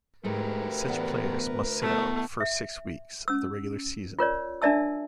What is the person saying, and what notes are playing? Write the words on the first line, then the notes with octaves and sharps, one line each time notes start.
Such players must sit out the first six weeks of the regular season.
D2 G#2 G#3 A3 G4 A#4 B4
E2 A2 B3
B2 A3 E4
E5
C#4 E6
F4 A#4 C#5 D5
D4 A#4 D5 E5 A5 E6